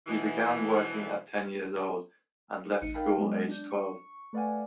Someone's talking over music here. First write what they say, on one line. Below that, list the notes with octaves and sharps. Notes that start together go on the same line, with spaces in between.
He began working at ten years old, and left school aged twelve.
B2 E3
A1 D#4 C#7 D#7
D#4 A#4 F5 G5 A5 B5
F#3 G#3 B3 F#4
D4 G6
C#6
A3 B4 D5 F5 F#5 G#5